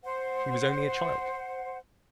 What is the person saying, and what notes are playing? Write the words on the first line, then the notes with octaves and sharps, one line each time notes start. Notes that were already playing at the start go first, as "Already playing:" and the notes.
She was only a child.
C5 F#5